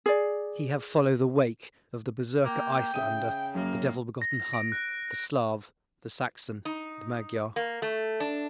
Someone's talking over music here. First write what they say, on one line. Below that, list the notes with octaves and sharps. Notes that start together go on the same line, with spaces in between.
He have follow the wake of the berserker Icelander, the devil-begotten Hun, the Slav, the Saxon, the Magyar.
G#4 D5
A#3 G5
C#3 E5 D#6 D#7
F#2 A#3
A#6
D7
F#6
D#4
A#3
A3
D4